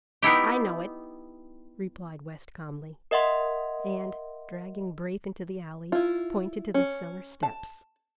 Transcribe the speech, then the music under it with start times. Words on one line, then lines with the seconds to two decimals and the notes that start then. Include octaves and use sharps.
"I know it," replied West calmly; and, dragging Braith into the alley, pointed to the cellar steps.
0.23 B3 D#4 E4 G4
3.11 A#4 D#5 E5 F#5 C6
5.92 E4 F4
6.74 C#4
7.43 A5